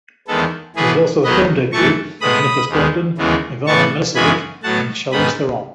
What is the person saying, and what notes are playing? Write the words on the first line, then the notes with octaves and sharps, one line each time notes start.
It is also the film debut of Nicholas Brendon, Ivana Milicevic and Charlize Theron.
E2 D#3 G#3 B3 A4
A2 E3 B3 G#4 B4
D#2 D#3 F#3 B3 B4 D#5
F#2 E3 A3 A5 C#6
A2 G#3 B3 B5 D#6
D#2 D#3 G#3 B3
D#2 C#3 E3 G#3 B3
A2 E3 B3 A5 C#6
F#2 C#3 E3 G#3 B3 G#5 B5
A2 F#3 B3 F#5 A5
G#2 D#3 G#3 B3 B5 D#6